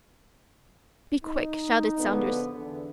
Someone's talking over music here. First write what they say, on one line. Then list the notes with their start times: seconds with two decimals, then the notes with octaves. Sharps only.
"Be quick!" shouted Saunders.
1.24 D#4
1.98 A#1 D3 F3 B3
2.55 E2 D3